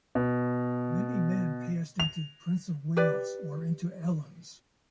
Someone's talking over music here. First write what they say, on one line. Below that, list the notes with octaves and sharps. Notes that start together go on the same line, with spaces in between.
Many men passed into the Prince of Wales or into Ellen’s.
B2
F7
G4 B4 D5